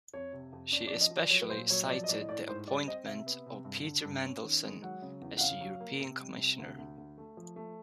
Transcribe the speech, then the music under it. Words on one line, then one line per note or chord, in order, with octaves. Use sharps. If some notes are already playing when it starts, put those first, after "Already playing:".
She especially cited the appointment of Peter Mandelson as a European Commissioner.
F2 C#5
C3
F2
C#4 D5
D5
F3
D#5
F3
D5
F#3 C#5
B4
A#2 C5
F#3 C#5
D#5
F3 D5
D#5
A2 D5
D#5
A2 D5
G#2 C5
G3 D5
C4 D#5
C3 E5
B3
C3
G2
D3
G2
C#4
D#3
G#3
F#3 F#5
C#3
E2
F#5
C#3 F5
F#3
A#3
C3
G3
C3
D2
D2
D2
A3
F3
A3